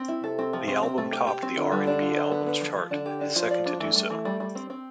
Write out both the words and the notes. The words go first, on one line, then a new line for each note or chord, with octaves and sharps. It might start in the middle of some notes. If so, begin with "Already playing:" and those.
The album topped the R and B albums chart, his second to do so.
Already playing: C4
E4
C3 A4
C4
F3
C4
C4
A3
G4
G4
C4
D3 F4
G3
D4
F4
C5
B3
B3
F3
F3
D3 D4
G4
D4
F3 F4
D5
D4
E3 A3
G3
E3
G3
G3
C4
C4